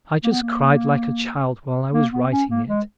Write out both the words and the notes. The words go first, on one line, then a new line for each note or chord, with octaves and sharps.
I just cried like a child while I was writing it.
A#3
B3
A#3
A#3
B3
C#4
A#3
G#3